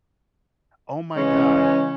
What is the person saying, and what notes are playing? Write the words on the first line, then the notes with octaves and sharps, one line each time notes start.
Oh my god.
C#3 E3 G#3 C#4